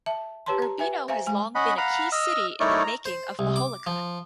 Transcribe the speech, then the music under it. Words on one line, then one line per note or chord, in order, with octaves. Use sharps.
Urbino has long been a key city in the making of majolica.
E5 A5
G4 B4 C#5 A5 A#5 C6
A#5
B4 E5 G#5
C5 E5 F5 G#5 A#5
G#3 G#5
C#4 D#5 F#5 B5
F5 F#5 A#5 B5
D#5 E6 F6
A3 D#4 E4 A#4 C#5 D5
A#5
C5
C2
D6
F3